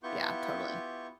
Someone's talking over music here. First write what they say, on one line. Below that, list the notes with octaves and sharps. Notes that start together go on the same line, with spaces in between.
Yeah, totally.
B3 E4 F4 G4 C#6 G6